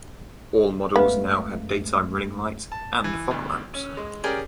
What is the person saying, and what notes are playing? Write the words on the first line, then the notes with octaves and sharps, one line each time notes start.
All models now had daytime running lights, and fog lamps.
F#2 G#3 A3 B3 B4 F5
A5
E3
D2 G2 B2
C#4
G#3
C#4 G4 G#4 A#4 D5 G#5